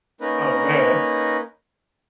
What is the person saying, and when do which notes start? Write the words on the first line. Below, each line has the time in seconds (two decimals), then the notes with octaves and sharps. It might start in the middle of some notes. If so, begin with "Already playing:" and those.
Oh, man.
0.21 A#3 C#4 D#4 A#4 B4